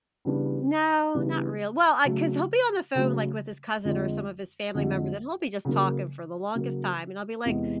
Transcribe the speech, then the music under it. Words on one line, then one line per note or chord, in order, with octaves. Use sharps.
No, not real Well, I 'Cause he'll be on the phone, like, with his cousin or some of his family members, and he'll be just talking for the longest time, and I'll be, like
C#3 E3 G3 B3 D4
C#3 E3 G3 B3 D4
C#3 F#3 A3
C#3 F#3 A3
F2 D3 F3 G#3
F2 D3 F3 G#3
C#3 F#3 A#3
C#3 F#3 A#3
E2 C3 E3 G#3